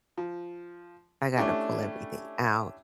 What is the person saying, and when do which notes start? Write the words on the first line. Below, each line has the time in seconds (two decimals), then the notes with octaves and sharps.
I got to pull everything out.
0.18 F3
1.37 A3 C#4 D4 E4 G4